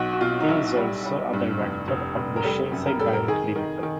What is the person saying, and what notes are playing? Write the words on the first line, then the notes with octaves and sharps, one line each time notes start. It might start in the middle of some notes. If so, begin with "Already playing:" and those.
He is also a director of The Shinsei Bank Limited.
Already playing: B1 F#4
F#4
B2 F4
D#4
B1 E4
G3
G3
G2
F1
F1
F1
A#4
G3 A4
F#2
A#4
G3 A4
A#4
D#3 G#4
D#3
D#3